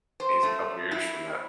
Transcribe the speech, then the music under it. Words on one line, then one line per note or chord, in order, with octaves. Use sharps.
He's a couple of years from that.
C5
A3
E4